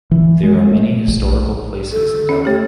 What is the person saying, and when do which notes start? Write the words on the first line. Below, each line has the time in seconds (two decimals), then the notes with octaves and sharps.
There are many historical places in Delhi.
0.11 E3
0.43 G#3
0.72 A3
1.08 A#1
1.92 A4
2.29 C#4
2.45 A3 G4 C#5